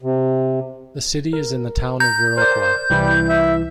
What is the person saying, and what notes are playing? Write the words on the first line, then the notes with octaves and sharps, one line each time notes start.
The city is in the town of Viroqua.
C3
A#4
A#5 G6
A#4 C5 D5
C2 E3 G3 E4
E5